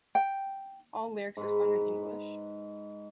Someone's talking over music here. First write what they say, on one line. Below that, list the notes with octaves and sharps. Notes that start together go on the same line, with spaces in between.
All lyrics are sung in English.
G5
G#2 B4